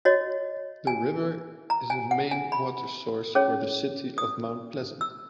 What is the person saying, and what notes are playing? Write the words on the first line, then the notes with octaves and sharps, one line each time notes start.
The river is a main water source for the city of Mount Pleasant.
F#4 C#5 D#5
G#5
A#5
G#5
F#5
G#5
B5
C#4 G#4 C#5
D#6
E6